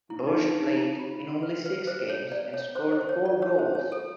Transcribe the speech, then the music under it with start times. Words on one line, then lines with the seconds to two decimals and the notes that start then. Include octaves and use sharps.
Bertsch played in only six games and scored four goals.
0.10 E4
0.27 D#4
0.43 D4
0.60 D#4
0.76 E4
0.99 F4
1.43 B4
1.66 B4
1.87 C5
2.09 C#5
2.32 D5
2.54 C#5
2.76 C5
2.92 C5
3.09 C#5
3.25 D5
3.42 C#5
3.59 C5
3.75 C#5
3.92 A4